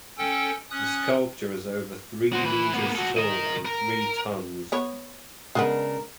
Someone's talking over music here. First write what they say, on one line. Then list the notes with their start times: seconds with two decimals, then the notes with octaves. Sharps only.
The sculpture is over three meters tall and three tons.
0.18 C#4 A4 G5
0.71 C#4 D#6 F#6
2.33 F#4 C5
2.44 E3 B4
2.73 A#3 B3
2.95 F#4 A4
3.17 A#4 D#5
3.65 A#4
4.72 B3 C#5
5.55 C#3 G#3 A#3 B3 D4 A#4